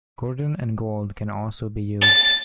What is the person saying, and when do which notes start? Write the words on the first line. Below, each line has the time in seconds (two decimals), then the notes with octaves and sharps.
Gordon and Gold can also be used.
2.01 A6